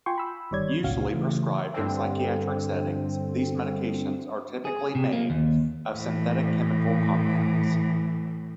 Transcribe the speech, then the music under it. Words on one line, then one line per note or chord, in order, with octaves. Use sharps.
Usually prescribed in psychiatric settings, these medications are typically made of synthetic chemical compounds.
F4 G5 G#5 C6 C#6
B5 E6
G1 D#3 G3 C#5 D5 G#6
G1 C#2 A#2 C#4 F#4 F5
C#3 E3 A3
G2 D3 C4
G#4
C3
A#3
D#2
A2 E3